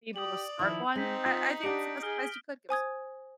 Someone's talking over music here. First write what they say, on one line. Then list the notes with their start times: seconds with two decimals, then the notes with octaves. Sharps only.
be able to start one. I I think that's the best advice you could give someone.
0.16 G4 D5 D#6 F#7
0.59 D#3 F3 E4 D#6
0.95 G#3 C4 D#4 G6 A#6 B6
1.26 F4
1.63 D4 G4 F#5 D7
2.03 G#4 F6 G7
2.69 C5 G#5 D#6 G#6